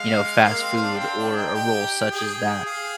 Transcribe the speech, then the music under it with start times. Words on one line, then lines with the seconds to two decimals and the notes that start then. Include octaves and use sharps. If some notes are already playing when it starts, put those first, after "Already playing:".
you know, fast food or a role such as that,
Already playing: G#3 F5
0.44 A#3 F5
0.62 C4
0.75 C4
0.81 D4
0.99 C4 G5
1.18 D4
1.37 D#4
1.55 G4
2.11 G#4
2.65 G#4 F5